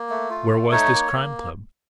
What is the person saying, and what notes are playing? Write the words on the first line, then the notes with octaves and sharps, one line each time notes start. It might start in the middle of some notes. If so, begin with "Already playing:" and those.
Where was this Crime Club?
Already playing: A#3
A3
F4
A3
D#4 C#5
A#3
A#3